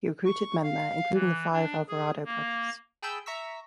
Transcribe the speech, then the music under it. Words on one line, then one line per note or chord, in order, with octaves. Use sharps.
He recruited men there, including the five Alvarado brothers.
C#6
F5
E3
D4
G#4
A#3
G#4 G5 A5 B5 E6 G6
E5 A#5 C#6 E6 B6